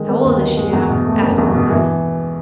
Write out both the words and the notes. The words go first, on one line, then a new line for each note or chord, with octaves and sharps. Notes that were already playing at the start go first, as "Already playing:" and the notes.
"How old is she now?" asked Malcolm.
Already playing: D#3 G#3
B3
D#2
D#3
G#3
E2
B2
A3
F#1
E2
B2
E3